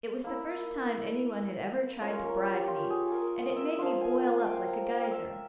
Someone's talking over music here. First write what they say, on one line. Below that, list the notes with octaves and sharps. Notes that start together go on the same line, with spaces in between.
It was the first time anyone had ever tried to bribe me, and it made me boil up like a geyser.
A#3 E4
A#3 C#4 F4 C#5
A#4
G4
F4
G#4
A#4
E5
F3 A#3 F4 F5
G#5
G#5
F5
G5
A#5
G5
F5
E5